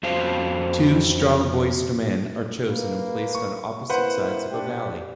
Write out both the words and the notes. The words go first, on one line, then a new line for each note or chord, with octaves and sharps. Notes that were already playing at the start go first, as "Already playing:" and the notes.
Two strong-voiced men are chosen and placed on opposite sides of a valley.
F2 C#4 F#4 C5 F5 A5
A#3 B4
C#6
A#3 C4 E4 B4 C5 F#5
A2 D4 G4